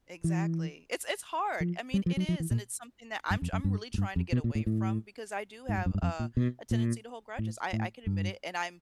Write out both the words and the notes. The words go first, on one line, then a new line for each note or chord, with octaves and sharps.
Exactly. It's it's hard, I mean, it is, and it's something that I'm tr I'm really trying to get away from because I do have a a tendency to hold grudges. I I can admit it, and I'm
E3
F3
G3
F3
F#3
F3
E3
A#2
G2
F2
F#2
G2
G#2
G2
F2
B2
A#2
A2
A2
G#2
G2
F#2
G2
F2
A#2
B2
A#2
A2
A2
G2